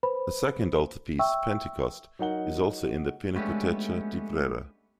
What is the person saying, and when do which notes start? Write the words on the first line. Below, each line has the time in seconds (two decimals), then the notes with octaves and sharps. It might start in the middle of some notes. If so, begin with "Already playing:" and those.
A second altarpiece, "Pentecost", is also in the Pinacoteca di Brera.
0.03 B4 C5 B5
1.19 E5 G5 C#6 E6
2.19 F#3 D#4 A#4 F#5 G7
3.36 G#3 A3 B3 C#4 D4 G4